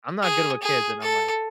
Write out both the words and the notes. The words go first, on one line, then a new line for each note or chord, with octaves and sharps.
I'm not good with kids," and I'm like
G#4
G#4
A4